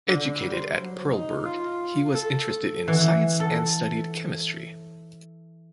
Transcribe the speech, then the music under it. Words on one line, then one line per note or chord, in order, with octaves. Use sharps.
Educated at Perleberg he was interested in science and studied chemistry.
D3
G3
C5
F#3
D#4
F4
A4
E3
A4